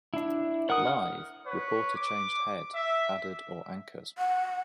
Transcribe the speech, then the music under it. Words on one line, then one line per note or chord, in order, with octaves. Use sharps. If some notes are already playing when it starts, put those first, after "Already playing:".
Live, reporter changed head, added or anchors.
D4 E4
A#4 F#5 D#6
F6
B4 C#5
D6
E5
F#5